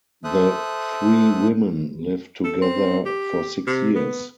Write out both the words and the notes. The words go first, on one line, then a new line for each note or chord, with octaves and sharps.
The three women lived together for six years.
A4 C5 E5 D#6 F#6
A4
C4
G4
C3
B3